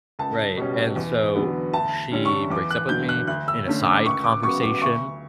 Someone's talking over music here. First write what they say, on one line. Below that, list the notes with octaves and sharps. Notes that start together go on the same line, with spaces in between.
right, and so, she breaks up with me, in a side conversation,
C#2 A5
B2 G3 C#4
E2
D3 F#3 B3
D2 A5
D3 G3 C#4
C#6
E2 D6
F#6
D3 F#3 G6
F#6
D2 F#6
E6
D3 A3 C#4
D6
C#2 C#6
D6
C#3 F#3 B3 C#6
D6
D2 C#6